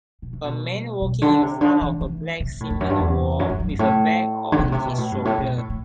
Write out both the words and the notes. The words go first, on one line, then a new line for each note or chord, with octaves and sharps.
A man walking in front of a black cement wall with a bag on his shoulder.
B2
C3
B2
B2
D3
C3
D3
E3
E3
C3
A2
E2
F#2
G2
E2
F#2
F#2
F#2
G2
A2
D3
C3
B2
C3
B2
A2
G2
A2
B2
A2
A2